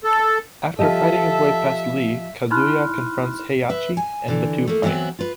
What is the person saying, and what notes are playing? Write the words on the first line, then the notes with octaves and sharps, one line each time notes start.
After fighting his way past Lee, Kazuya confronts Heihachi and the two fight.
A4
F3 G4 A4 D#5 E5
D#4 E4 B5 C6 F6 F#6
B4 E5
G#5
D3 E3
A3 A#3
E3 F#3 B3 C4 E4
F4 B4